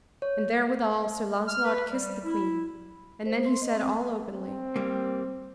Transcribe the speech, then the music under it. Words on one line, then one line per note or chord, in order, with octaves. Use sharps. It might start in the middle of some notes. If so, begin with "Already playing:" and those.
And therewithal Sir Launcelot kissed the queen; and then he said all openly.
C#5
F6
B4
G3
E4
C5
C6
D#5
C4
C4
G3 A#3